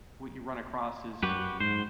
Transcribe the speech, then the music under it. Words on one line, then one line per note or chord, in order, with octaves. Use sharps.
what you run across is
F#2 F#4 G4 B4
G#2 C5